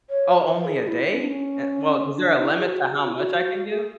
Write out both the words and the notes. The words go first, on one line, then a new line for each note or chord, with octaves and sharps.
Oh, only a day? Eh, well, is there a limit to how much I can give?
C#5
B4
G#4
E4
C#4
D4
C#4
D4
E4
G#4
F#4
G#4
F#4
E4
F#4
G#4